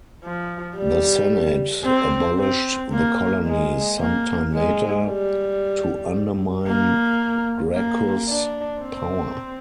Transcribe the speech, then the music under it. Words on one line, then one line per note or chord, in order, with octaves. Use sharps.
The Senate abolished the colony some time later, to undermine Gracchus' power.
F3
G3
C4
C4
A#3
G#3
A#3
G#3
G3
A#3
A#3
D4
C4